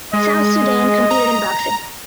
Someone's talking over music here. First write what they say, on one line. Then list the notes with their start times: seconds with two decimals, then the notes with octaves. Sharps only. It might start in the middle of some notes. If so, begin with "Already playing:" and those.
South Sudan competed in boxing.
0.13 G#3 D#5
1.11 A#5